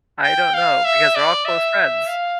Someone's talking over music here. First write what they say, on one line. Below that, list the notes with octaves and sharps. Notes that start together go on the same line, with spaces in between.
I don't know, because we're all close friends.
G5
F5
E5
D5
E5
F5